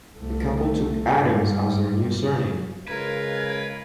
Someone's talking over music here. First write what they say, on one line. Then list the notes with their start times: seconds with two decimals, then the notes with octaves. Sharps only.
The couple took Addams as their new surname.
0.17 C2 A3
1.09 G2 G3
2.88 C#3 G#3 F4 A#4 B4 G#6